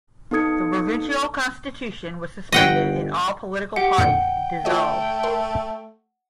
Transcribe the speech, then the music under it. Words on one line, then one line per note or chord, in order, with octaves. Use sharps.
The provisional constitution was suspended and all political parties dissolved.
B3 D#4 A4 D#6 G#6 C#7
G1 D#5 F#5 G5
G4 F#5
F2 A#2 D3 F#5 G5
A3 F4 C#5 D#5
A#4 C6